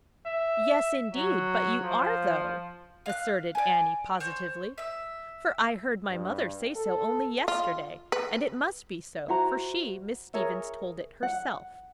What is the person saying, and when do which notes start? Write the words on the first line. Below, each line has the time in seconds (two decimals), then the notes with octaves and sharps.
"Yes, indeed, but you are though," asserted Annie positively; "for I heard my mother say so only yesterday; and it must be so, for she Miss Stevens told it herself."
0.27 E5
1.14 F#3
1.84 F3
3.06 F5 F#6
3.55 D5 G#5
4.20 C5 C#5
4.78 E5 E6
6.09 G2
6.76 A4
7.48 F4
8.12 B4
9.28 E4 F#4 C5 A#5
10.34 G#4 A#4 C#5 E5
11.23 F#5